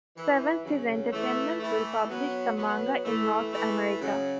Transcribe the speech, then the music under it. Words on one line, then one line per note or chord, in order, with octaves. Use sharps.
Seven Seas Entertainment will publish the manga in North America.
E3
C#3 F#3
E3 A3
E3 A3
F#3 B3
F#3 B3
E3 A3
E3 A3
C#3 F#3